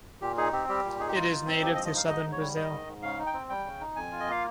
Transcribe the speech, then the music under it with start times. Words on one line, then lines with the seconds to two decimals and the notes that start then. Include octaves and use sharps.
It is native to southern Brazil.
0.21 A#2 G4
0.37 D#4 G#4
0.53 C4 G4
0.69 G3 G4
0.85 A#2
0.99 D#4 G#4
1.08 G4
1.15 G2 F4
1.31 D#4
1.46 C4
1.62 F3 G4
1.74 D#5
1.77 G2
1.85 D#5
1.94 D#4 F5
2.09 G#2 D#5
2.24 G#2
2.32 C#5
2.40 G3
2.56 D#3 D#5
2.72 G#2
2.86 G#2
3.02 C#3 F5
3.18 D#4
3.26 G5
3.34 C4
3.49 G3 G5
3.65 C#3
3.80 D#4
3.96 F2 G#5
4.12 F4
4.20 D#5
4.28 A#3 F5